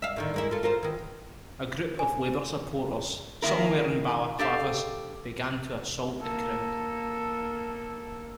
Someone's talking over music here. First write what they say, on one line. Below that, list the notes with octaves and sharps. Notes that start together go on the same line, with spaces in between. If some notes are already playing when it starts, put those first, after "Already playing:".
A group of Labour supporters, some wearing balaclavas, began to assault the crowd.
E5 F5
A2 D3 D#3
G#3 A#3 E4
F4 A4
F4 A#4 C5
D#3 E3
G#5
D#3 A#3 E4 A#4
D4 G4 A4 F5
A#3 A4